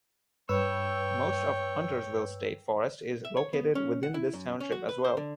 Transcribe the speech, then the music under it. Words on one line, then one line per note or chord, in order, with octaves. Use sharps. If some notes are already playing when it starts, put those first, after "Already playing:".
Most of Huntersville State Forest is located within this township as well.
G2 B4 C#5 G5 E6
E5
C#5
B3
C#4
F#5
E4
F#2
C#4
F#4
B4
C5
D3